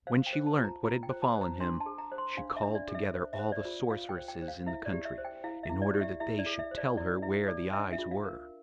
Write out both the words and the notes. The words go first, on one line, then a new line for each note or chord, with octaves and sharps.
When she learnt what had befallen him she called together all the sorceresses in the country in order that they should tell her where the eyes were.
C5 F5
G5
C5
A5
F4
A#5
F4 A#5
G5
C5
A5
C5
A#5
D4 C6
A5
A4
A#5
C5
C6
D4 F5
E5
D4
D5
A4
E5
C5
E5
C5
D5
F4
F4 F5
G5
C5
G5
C5
F5
E4 E5
D5
G4
E5
C5
G5
E4 F5
E5
E4
D5
G4
E5
E4 E5
D5
A4
E5
C5
D5
E4 D5
E4 E5
A4 D5
D4 E5
E5
F4
F5
A#4